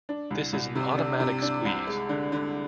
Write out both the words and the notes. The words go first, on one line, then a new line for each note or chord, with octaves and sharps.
This is an automatic squeeze.
D4
C2
C2
C3
D4
C3
D4
C2
G#3
D3
D3